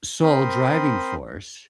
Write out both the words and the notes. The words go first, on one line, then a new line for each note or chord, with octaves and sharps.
sole driving force
C4 A#4 C5 B5 C6 D#6